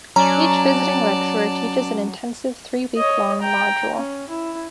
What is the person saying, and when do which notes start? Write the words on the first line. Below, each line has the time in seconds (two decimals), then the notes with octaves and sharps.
Each visiting lecturer teaches an intensive three-week-long module.
0.16 F#3 C#4 D5 A5 A#5
2.96 C#5 D#5
3.41 G5 A#5
3.96 C#4
4.30 E4